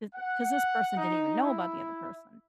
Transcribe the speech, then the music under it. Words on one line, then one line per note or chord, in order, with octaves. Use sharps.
'cause 'cause this person didn't even know about the other person.
F#5
D#4
E4